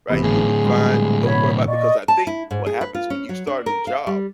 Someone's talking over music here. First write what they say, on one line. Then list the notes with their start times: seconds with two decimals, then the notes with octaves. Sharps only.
Right, you will do fine, don't worry about, because I think what happens when you start a new job,
0.10 G#1 C3 E3 B3
0.23 A2 D3 G#4
0.65 A#2 G3 G#3
1.23 B2 C#5 B5
1.67 A#2 D5 D#5 C#6
2.08 A5
2.27 E4
2.51 G#2
2.66 G#4
2.81 B4
2.94 F4
3.10 C#4
3.29 F#3
3.47 D4
3.66 A#4
3.87 F5
4.07 G3